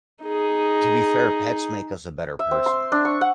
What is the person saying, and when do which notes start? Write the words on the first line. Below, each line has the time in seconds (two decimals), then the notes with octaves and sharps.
To be fair, pets make us a better person.
0.23 D#4 G#4
2.39 E5
2.51 C4
2.66 C6
2.92 D4
3.05 C#6
3.21 F#5